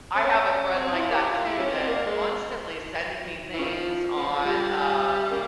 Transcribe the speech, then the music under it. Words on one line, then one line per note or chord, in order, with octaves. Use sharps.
I have a friend like that too that constantly sending me things on, um,
C#4
C#4
C4
C#4
E4
F4
A#3 E4 G4
F4
E4
C#4
C4
A#3
G#3
E3
C#3 F3
C#3 F3
G3
C#3 G3 A#3